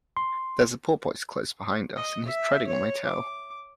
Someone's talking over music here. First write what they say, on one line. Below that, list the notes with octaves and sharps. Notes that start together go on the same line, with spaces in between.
There’s a porpoise close behind us, and he’s treading on my tail.
C6
D#5
E5
C#5
D6